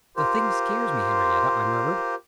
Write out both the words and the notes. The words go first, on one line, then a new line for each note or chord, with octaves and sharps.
"The thing scares me, Henriette," I murmured.
F4 G4 A#4 C5